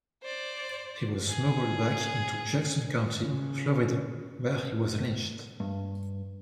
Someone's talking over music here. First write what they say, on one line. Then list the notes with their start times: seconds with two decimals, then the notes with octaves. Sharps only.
He was smuggled back into Jackson County, Florida, where he was lynched.
0.23 C5 D5
1.29 G#4
3.24 C#3
5.60 G2